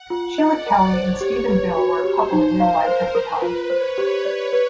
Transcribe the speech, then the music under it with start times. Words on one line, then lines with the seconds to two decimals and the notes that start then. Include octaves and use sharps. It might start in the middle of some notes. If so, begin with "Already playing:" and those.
Sheila Kelley and Stephen Bill were a couple in real life at the time.
Already playing: F#5
0.10 F4
0.38 D5 D#5
0.66 A#4
0.93 C5 C#5
1.21 G4
1.49 B4 C#5
1.77 F#4
2.04 G4 C5
2.32 D#4
2.59 A#4 F5
2.87 C5
3.14 A#4 B4
3.42 F4
3.69 C5 C#5
3.98 G4
4.25 D5
4.53 B4